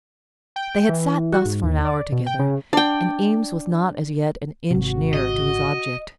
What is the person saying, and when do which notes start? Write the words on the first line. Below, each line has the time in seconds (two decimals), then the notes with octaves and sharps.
They had sat thus for an hour together, and Eames was not as yet an inch nearer to his object.
0.56 G5
0.73 G5
0.89 E3
1.32 F#4
1.45 G#2
1.63 D#2
1.85 D5
2.12 B2
2.26 G5
2.39 C#3
2.73 D4 D5 G5
4.71 G#1 C3 F#4
5.14 D#5